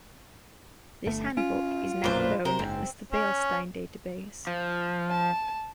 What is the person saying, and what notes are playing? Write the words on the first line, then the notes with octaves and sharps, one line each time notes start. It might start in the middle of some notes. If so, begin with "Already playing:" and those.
This handbook is now known as the Beilstein database.
G1 A3
C#4 F4
B1 F#2 A#2 D4 B4 C5
C3 A#4 C5
F#1 G#2 C4
C#4
F3
A5